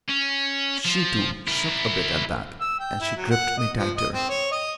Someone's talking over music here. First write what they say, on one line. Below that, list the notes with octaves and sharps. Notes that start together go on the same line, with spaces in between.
She, too, shook a bit at that, and she gripped me tighter.
C#4
F3
E4 A#4
E6
G5
E4
F#3
F#5
D#5
F3
D#5
C4
C#5
D#5